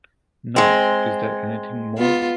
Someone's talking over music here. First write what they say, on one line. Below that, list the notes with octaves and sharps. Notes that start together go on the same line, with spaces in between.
Now, is there anything more?
G#3 C4
B3 F4